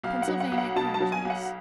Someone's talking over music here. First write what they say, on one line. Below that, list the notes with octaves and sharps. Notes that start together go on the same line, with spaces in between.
Pennsylvania Cream Cheese.
B1 F5
F#5
F#3
F#5
B1
F#5
B2 A5
A5
F#3
G#5
B1
F#5